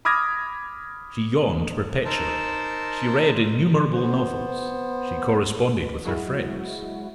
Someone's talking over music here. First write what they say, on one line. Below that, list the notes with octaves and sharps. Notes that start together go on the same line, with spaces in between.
She yawned perpetually; she read innumerable novels; she corresponded with her friends.
B5 D6 D#6 F6 G#6 A#6
D#4 A#4 C5 A5 E6
B3 C5
F#3 G#3 E4 F#4